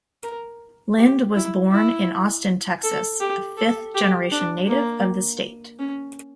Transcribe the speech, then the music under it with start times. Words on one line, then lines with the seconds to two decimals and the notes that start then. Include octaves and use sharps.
Lind was born in Austin, Texas, a fifth-generation native of the state.
0.23 A#4
0.97 G4
1.35 E4
1.71 E4
2.83 A4
3.20 G4
3.57 A4
3.94 G4
4.31 D4
4.68 A#3
5.79 C#4